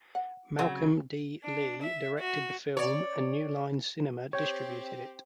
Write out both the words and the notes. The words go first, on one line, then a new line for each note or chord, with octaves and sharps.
Malcolm D. Lee directed the film and New Line Cinema distributed it.
F#5
C#3 F#3 C4 F#5
D4
E5
F#4
C#5 D5
C4 G4 C#5 G5